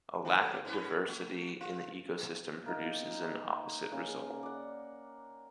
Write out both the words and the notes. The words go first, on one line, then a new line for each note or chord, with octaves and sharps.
A lack of diversity in the ecosystem produces an opposite result.
D#3 A3
F#3 A#3
G#2 C#4 B4
A3
F4
A#3 D#4 G5
C#3 A#3
D5 F#5